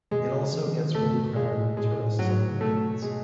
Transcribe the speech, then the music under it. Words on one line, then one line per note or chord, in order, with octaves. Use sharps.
It is also gets really crowded with tourists on the weekends.
B2 G#3
C#3
E3
E3
D#3
C#3 A3
B2
A2
B2 G#3
A2
B2
A2 G#3
B2
A2
G#2 F#3
A2
C#3
B2 A3
G#3